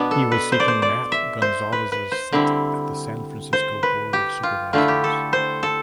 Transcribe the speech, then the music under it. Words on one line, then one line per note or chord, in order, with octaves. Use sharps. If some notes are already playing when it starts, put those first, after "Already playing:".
He was seeking Matt Gonzalez's seat on the San Francisco Board of Supervisors.
Already playing: B2 B3 D4
A4
B4
C5
D5
C5
D5
E5
C5
B4
B4
C5
D3 G3 C4 E4
C5
B4
G4
F4
D3 A3 E4 F4
G4
A4
C5
A4